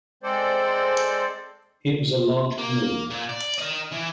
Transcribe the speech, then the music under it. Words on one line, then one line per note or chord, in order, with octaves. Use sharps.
It was a large canoe.
G#3 C4 A4 C5 D5
A#3
A#2
D5
A#4 D#5
E3